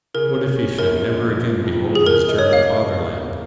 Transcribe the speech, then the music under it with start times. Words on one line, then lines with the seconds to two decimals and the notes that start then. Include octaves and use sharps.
What if he should never again behold his German fatherland?
0.14 C#3 A#4
0.36 C#4
0.58 C#4
0.78 A#1 A#4
1.00 G#3
1.21 F3
1.43 F3
1.64 F2
1.85 C#3
1.95 G#4
2.06 C#3 A#4
2.28 D#4
2.39 C#5
2.49 A#3 F5